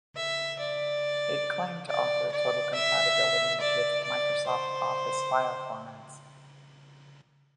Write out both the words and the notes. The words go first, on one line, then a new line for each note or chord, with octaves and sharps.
It claimed to offer total compatibility with Microsoft Office file formats.
E5
D5
D5
D5
E5
D5
D5
C5